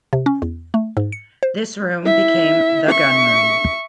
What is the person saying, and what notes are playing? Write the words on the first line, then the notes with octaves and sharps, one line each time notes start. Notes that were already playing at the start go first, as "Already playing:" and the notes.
This room became the gunroom.
C3
C#4
E2
A3
G#2
C#7
C5
E4 E5
E5 C#6